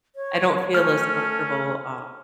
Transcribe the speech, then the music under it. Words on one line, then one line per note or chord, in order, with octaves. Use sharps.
I don't feel as comfortable, um
C#5
A3 C#4 F6